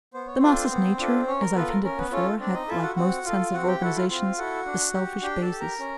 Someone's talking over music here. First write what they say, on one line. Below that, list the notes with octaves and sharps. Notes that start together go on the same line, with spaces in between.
The master's nature, as I have hinted before, had, like most sensitive organizations, a selfish basis.
B3 C5
C#5
C4 D4 F4 A4 C5
B3
D4 F4 A4
C#4 C#5
A#4
B3 F4 A4 B4
A#4
C#4 A#4
B3 B4
C#4 F4 A4 C#5
C4 D4 D5
D#4 D#5
E4 F4 A4 E5
F#4 F#5
C4 F#4 F#5
F4 A4 F5
C4 F#4 F#5
G4 G5
E4 F#4 A4 F#5
F4 F5
C4 F4 F5
E4 F#4 A4 F#5
D4
G4
D4 G4 G5
A4 A5
G4
A#4 A#5
C#4